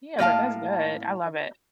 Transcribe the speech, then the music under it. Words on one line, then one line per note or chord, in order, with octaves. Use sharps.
Yeah, but that's good, I love it.
A2 A#3 F5 A5